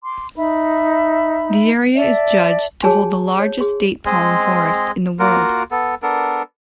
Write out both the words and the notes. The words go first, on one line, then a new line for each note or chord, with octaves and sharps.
The area is judged to hold the largest date palm forest in the world.
C6 D6
D#4 E5 B5
D5 E5 A5
F#4 G#4 C#5 G#5 A5 C6
C#5
G#4 C6
G#3 C4 G#4 D#5
A#3 F4 F#4 A#4
B3 A4
B3 D4 A4 A#4